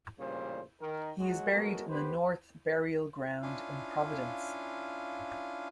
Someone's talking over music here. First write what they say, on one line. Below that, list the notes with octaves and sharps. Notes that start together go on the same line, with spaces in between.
He is buried in the North Burial Ground in Providence.
A1 G2 A#2 C#3 G3 C5
D#3 A#4
F#3 G#3 F#4
F#3 G#3 A3 B3 F#4 A#4
B3 G4 B4 C5
C#4 D4 E4 F4 F5